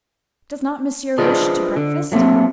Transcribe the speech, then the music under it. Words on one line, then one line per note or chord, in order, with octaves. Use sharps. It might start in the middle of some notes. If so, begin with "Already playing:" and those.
"Does not Monsieur wish to breakfast?"
D4 F4 G#4 B4 C5 D#5
D3
F#3 A3 A#3 C4